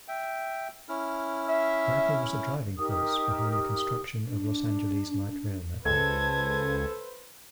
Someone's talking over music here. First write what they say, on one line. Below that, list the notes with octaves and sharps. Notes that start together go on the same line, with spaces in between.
Bradley was a driving force behind the construction of Los Angeles' light rail network.
E5 G5
C#4 E4 F6
E5
D#4 G4 A#4 D#6
D4
C#2 A4 B4 C5 G#6